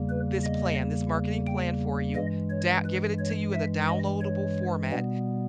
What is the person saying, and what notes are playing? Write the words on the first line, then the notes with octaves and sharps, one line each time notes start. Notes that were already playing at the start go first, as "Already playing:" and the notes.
this plan, this marketing plan for you, dow give it to you in a downloadable format,
Already playing: E2 C#3 G3 A#3
B4
D#5
G5
G2 E3 G#3 D#5
C#5
B4
C#5
E5
D#5
C#5
B2 G3 B3